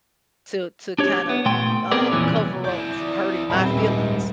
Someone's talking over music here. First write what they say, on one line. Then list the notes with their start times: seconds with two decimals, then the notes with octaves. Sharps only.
to to kinda, uh, cover up from hurting my feelings.
0.99 D4 G4 C#5
1.29 B3
1.45 A#2 A3 G5 C6
1.91 B3 C4 G#4 A#4 B4 D5
2.12 F2 A#2 E3 C#4
2.30 C2
2.65 E4 D5 G6
3.50 D#1 B1 C4 E5 B5
3.77 G#2